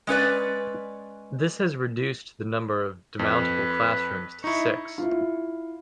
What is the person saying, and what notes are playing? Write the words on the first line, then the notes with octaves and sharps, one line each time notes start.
This has reduced the number of demountable classrooms to six.
G#3 C#4 B4 D5
F2 B4
D#4 E4 C#6
E4 F4